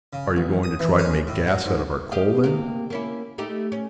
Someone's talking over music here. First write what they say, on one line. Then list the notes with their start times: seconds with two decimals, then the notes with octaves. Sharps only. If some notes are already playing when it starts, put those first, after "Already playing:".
"Are you going to try to make gas out of our coal then?"
0.13 C#3
0.36 A1
0.63 D#6
0.79 E3
0.99 C#4
1.27 A2
1.47 F#3
1.65 G#2
2.12 G4 D#5 F5
2.44 C3 A#3
2.90 A#3 C#4 E4
3.38 A3 D#4 G4
3.72 C#4